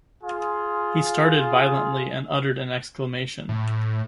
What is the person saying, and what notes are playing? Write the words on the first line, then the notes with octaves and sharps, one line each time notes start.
He started violently and uttered an exclamation.
F4 G#4
A2